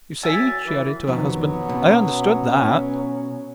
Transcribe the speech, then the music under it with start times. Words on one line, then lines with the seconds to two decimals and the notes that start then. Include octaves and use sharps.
"You see," she added to her husband, "I understood that."
0.23 F#3 E4 G#5 E6 F6 A6 B6
0.64 E3 A#4
1.07 F2 C3 D#3 F#3 B3
1.69 B2 C#4